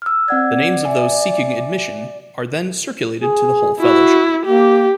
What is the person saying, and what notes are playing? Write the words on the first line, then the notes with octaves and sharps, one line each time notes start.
The names of those seeking admission are then circulated to the whole Fellowship.
E6 F6
C4 D5 F#5 G#6
E5 G#5
G#4
E4 F#4
A#3 G4